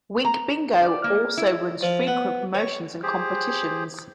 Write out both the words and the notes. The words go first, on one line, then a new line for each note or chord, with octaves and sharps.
Wink Bingo also runs frequent promotions and competitions.
A#5
D5
A#3
E4
F3
B3
C#5
G4 G#4 C5